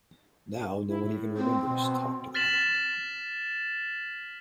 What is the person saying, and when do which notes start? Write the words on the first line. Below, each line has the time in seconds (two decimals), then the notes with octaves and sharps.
Now no one even remembers 'Talk to the hand'.
0.89 E4
1.04 A2
1.37 C4
1.67 B2
2.34 F6 A6 B6 E7 F#7